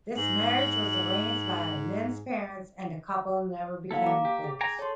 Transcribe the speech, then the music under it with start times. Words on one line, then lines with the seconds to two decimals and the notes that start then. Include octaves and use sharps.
This marriage was arranged by Lin's parents, and the couple never became close.
0.17 G#2 F#7
3.91 F#3 A#3 E4 A4 F5
4.04 A#5 D6
4.25 G4
4.44 G#4
4.61 G5 G#5 A#5
4.79 A4 C#5 C6